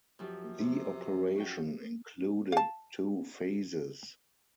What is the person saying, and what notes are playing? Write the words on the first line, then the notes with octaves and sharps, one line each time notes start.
The operation included two phases.
F#2 F3 G4
C3
C#4 F#4 G5
F5 A5